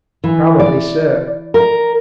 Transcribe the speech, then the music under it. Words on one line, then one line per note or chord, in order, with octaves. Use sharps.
Probably so.
E3
D5
A#4